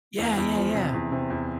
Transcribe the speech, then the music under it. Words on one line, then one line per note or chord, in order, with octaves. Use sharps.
Yeah, yeah, yeah.
E2
E2
F3
C3
E2
C3
E2